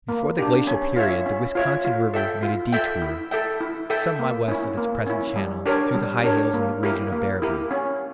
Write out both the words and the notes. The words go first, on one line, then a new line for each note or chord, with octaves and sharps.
Before the glacial period the Wisconsin River made a detour some miles west of its present channel through the high hills in the region of Baraboo.
A#3
D4 G4
C#4
F4 C#5 E5
C#4
F4 C#5 E5
F4
A4 E5 G5
F4
A4 E5 G5
E4
A4 E5 G5
E4
A4 E5 G5
A#3
C#4 E4
A#3
C#4 E4
G3
D4 G4 A#4 C#5
G3
D4 G4 A#4 C#5
A#3
E4 G4 A#4
A#3
E4 G4 A#4
C#4